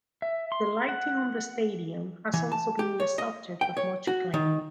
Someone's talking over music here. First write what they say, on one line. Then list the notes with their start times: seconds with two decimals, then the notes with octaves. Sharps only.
The lighting on the stadium has also been the subject of much acclaim.
0.22 E5
0.52 C6
0.89 F#5
2.34 E3
2.52 A5
2.79 G4
3.00 C#5
3.18 D#5
3.61 G5
3.77 C#5
4.07 F#4
4.34 D#3